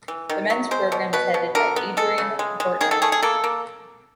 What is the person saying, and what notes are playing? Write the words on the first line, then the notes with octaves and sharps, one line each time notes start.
The men's program is headed by Adrian Burtner.
E3
D#3
F#3
G#3 C5
B2
B2 B4
B2
D3 A#4
B3
G#3 A4
C#3
G#3
G#3
D#3 G#4
A4
A3 G#4
G#4
A#3 A4
A#3